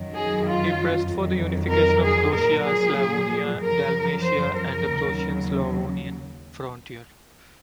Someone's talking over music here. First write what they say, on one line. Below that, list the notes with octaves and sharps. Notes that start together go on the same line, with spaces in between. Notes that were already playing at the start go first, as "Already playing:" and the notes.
He pressed for the unification of Croatia, Slavonia, Dalmatia, and the Croatian-Slavonian Frontier.
Already playing: F#2 D#3 F#3
G#4
F4
F2 D#3 F#3
A#4
G#4
A#2 F#3 A#4
G#4
F#2 F3 A#4
C5
A#4
D#2 C#3 F#3